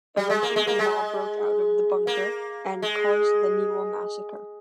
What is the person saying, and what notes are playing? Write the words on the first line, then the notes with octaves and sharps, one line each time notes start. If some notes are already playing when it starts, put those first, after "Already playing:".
Eventually the Maw broke out of the bunker and caused the Niwa Massacre.
G3
G#3
A#3
G#3
A#3
G#3
A#3
G#3